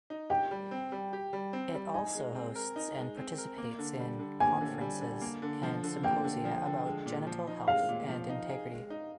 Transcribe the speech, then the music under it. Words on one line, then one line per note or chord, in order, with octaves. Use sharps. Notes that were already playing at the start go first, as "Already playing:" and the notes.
It also hosts and participates in conferences and symposia about genital health and integrity.
D#4
G4 G5
G3
C4
G3
G4
G3
C4
G3
D#4 G#5
G#3
C4
A#4
D#4
G#3
C4
A#4
A#3
D3
G3
D3
A#3 G#5
D3
G3
D3
A#3
D3
F3
D3
A#3 G5
D3
F3
D3
G#3
A#2
F3
D#4
G#3 F5
A#2
F3
D#4
G#4
G#3
D#4